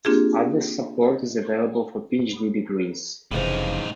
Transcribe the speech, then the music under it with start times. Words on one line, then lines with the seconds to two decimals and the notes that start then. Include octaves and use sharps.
Other support is available for PhD degrees.
0.05 A#3 C4 D4 F4 G4 G#4
3.31 F1 A2 C#3 E3 F3 D#4